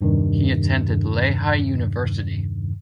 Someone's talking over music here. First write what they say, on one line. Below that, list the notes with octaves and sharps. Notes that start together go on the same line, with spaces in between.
He attended Lehigh University.
E2 G2 C3 D#3